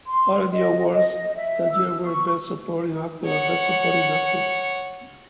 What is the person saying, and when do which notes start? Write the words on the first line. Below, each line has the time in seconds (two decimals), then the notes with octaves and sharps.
Other new awards that year were Best Supporting Actor and Best Supporting Actress.
0.07 C6
0.53 D#5
0.94 D#5
1.35 E5
1.71 E6
2.04 C#6
3.26 C#5 F#5